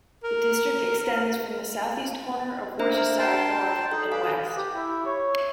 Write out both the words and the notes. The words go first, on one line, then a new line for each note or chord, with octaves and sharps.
The district extends from the south-east corner of Worcestershire north and west.
A#4
D4 C5 E5 F5
A#4 A#5
G5 A5 C6
D#4 A4
G#4 B4 F5 G#5 D6
G4
E4
C#5